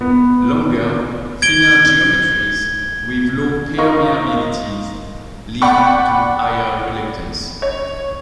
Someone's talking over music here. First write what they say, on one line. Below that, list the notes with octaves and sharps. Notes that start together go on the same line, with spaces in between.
Longer, thinner geometries with low permeabilities lead to higher reluctance.
B3
G#6 D7 G7
D#4 F4 A#4 C#6
D5 F#5 G5 B5 C#6 D6
C#5